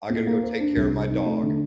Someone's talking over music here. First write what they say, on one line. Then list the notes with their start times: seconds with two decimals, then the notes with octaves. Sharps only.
I gotta go take care of my dog
0.10 A#2
0.27 A#3
0.43 C5
0.60 D4
0.76 C2
0.93 C3
1.10 D#4
1.26 A3
1.43 D3